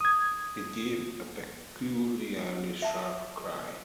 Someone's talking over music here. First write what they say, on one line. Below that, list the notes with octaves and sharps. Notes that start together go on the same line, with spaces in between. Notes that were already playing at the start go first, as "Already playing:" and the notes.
It gave a peculiarly sharp cry.
D#6 G#6
E5 A5